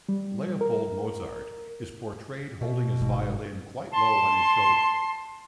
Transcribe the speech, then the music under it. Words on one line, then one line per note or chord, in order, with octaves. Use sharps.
Leopold Mozart is portrayed holding his violin quite low on his shoulder.
G3
A#4
B2
G1 G#2
A5 C6